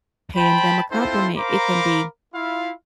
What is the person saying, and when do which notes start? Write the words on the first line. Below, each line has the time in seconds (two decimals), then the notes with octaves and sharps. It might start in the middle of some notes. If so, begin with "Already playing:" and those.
paying them a compliment. It can be
0.36 C5 G5 A5 B5
0.91 C4 E4 F4 A4 C5
1.37 A#4 C5 F5 A#5 B5 D6
2.34 E4 F4 F5